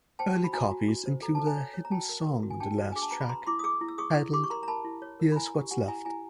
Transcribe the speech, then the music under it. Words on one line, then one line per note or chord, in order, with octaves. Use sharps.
Early copies included a hidden song on the last track, titled Here's What's Left.
C5 G5 A5
F#4
B5
F#4 G#5 A#5
F#4
F#4
C5
A4 A#5
A4 A5
G#5 A#5
C#5
C#5
A#5
F#4 G5 A5
A#4
A#4
F#4
G#5
D4 G5 A5
F#4
G#4 G#5
A5
B4 A#5
B5
B4 A#5 C6
E4 C6 D6
D#6
G#4 D6 E6
E4
E6
G#4 C#6 D#6
E4
G4 C6 D6
C#6
A#4 A#5 C6
A#5
A#4 A5 B5
E4
C#5
A#4
B5
E4 G#5 A#5
G4
G4 F#5 G#5
E4 G#5 A#5
E4 G#5 A#5